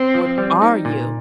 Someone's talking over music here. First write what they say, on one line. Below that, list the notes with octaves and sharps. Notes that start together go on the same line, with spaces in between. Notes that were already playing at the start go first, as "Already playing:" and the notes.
What ARE you?
Already playing: C4
F3
G3
D#4
A#2